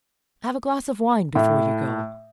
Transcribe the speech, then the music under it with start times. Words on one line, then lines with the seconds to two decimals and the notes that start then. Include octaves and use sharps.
"Have a glass of wine before you go."
1.35 A2